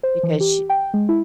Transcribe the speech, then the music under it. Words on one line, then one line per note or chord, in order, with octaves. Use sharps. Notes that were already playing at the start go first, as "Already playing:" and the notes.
because sh
C5
E3
G4
G5
G#3
E4